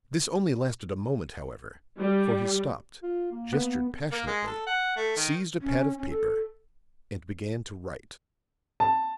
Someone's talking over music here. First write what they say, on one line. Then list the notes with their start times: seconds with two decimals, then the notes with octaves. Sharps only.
This only lasted a moment, however; for he stopped, gestured passionately, seized a pad of paper and began to write.
1.99 G3
3.03 F4
3.31 A#3
3.53 B3
4.12 A#3
4.27 G#3
4.47 A4
4.67 F#5
4.97 A3
5.16 D#3
5.62 C#4
5.98 C#4
6.10 A4
8.80 A5